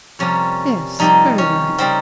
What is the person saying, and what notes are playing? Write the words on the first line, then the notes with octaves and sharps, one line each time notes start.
'Yes, very like.
F2 C3 G3 A#3 C#4
F2 C3 G3 A#3 D#4
C#4
C#3 G3 A#3 C4